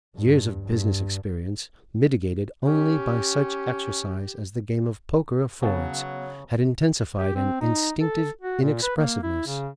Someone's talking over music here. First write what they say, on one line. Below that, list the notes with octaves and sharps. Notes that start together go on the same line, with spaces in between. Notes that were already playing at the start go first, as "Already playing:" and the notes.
Years of business experience, mitigated only by such exercise as the game of poker affords, had intensified an instinctive inexpressiveness.
G2
G2
C#4 G4
C#3 F#3 B3 F5 A5
G4
C4
D#4
A4
F#4
A#2
B4
A#3
E4
C#3